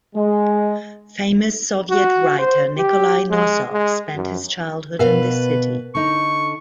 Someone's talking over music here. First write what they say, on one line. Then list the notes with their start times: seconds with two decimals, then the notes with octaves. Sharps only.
Famous Soviet writer Nikolay Nosov spent his childhood in this city.
0.16 G#3
1.90 F#4
2.38 C5
2.77 G4
3.30 G#3
3.72 G#3
4.15 F#2
4.99 B2 A#4 B4 F5 F#5
5.95 D3 D#4 C#6